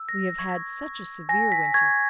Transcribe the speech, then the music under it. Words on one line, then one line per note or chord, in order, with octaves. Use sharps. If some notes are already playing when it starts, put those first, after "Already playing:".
We have had such a severe winter.
Already playing: E6
A#6
C#6 G#6
C#6
G#5 A#6
B6
C#6 G#6